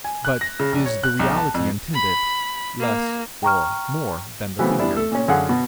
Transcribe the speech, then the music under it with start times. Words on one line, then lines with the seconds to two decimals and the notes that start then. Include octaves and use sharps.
But is the reality intended, less or more than the figure?
0.04 G#5
0.25 F#6
0.41 A#6
0.60 C#3
0.72 A#1
0.85 C#5
1.04 F#6
1.19 B1
1.37 A5
1.54 F2
1.94 B5
2.80 A#3
3.43 G5 A#5 C#6 F6
4.59 C#3 E3 F#3 A3 B3 C4
4.79 G3 B3 D4 E4
4.95 A3 A4
5.12 A#2 C#4
5.28 F#2 D3 G#4 F5 F#5
5.49 B2 B3 F#4